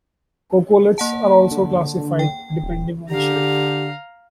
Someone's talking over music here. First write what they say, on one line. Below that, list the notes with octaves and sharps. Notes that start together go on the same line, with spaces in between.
Coccoliths are also classified depending on shape.
A#3 F#5 A5
D3
G5
D#1
D3 G4 F5 A#5